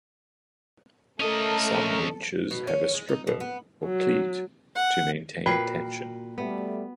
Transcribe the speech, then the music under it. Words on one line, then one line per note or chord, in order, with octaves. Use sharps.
Some winches have a "stripper" or cleat to maintain tension.
A3 C#4 A4 A#4 D#5
B2
C#4
G#3
D#4
B2
B3
F#3
F#5
A#2 F#4 A#4 B4 G5 C7
G3 A3 B3